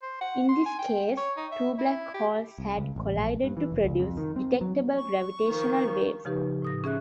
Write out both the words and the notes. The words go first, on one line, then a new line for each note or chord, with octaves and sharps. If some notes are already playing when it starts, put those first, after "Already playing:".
In this case, two black holes had collided to produce detectable gravitational waves.
C5
F#5
C6
G#5
G5
C#5
D#4
E5
E4
G4
C2
C#2
A1
A#1
G2
E3
F1
C#2
F2
D#3
C4
F#3
C#6
D#3 F3
C#3 F3 D#4 G4 B4
A2 D#6 A#6
C#4 G#4 E5 F#6